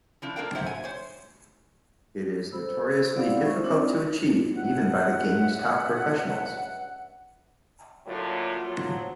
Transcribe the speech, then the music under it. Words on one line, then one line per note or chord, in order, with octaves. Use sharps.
It is notoriously difficult to achieve, even by the game's top professionals.
E3 F3 D4
A#3 D4 A4 A#4 F5 G5
F#3 C5 E5 F#5
G#5
C5 C#5
A4 C5 B5 E6
C4 E4 D5 F5 F#5 B5
G#3 E4 C5 E5 C#6
C4 D4 F4 C#5 D5
C#2 G2 E5 F#5
A2 D3 F#3 A#3 F4
F3 F#3